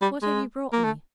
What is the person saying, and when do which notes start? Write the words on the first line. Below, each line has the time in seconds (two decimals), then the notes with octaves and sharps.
What have you brought me?'
0.02 G3
0.22 G#3
0.73 A#3
0.84 A3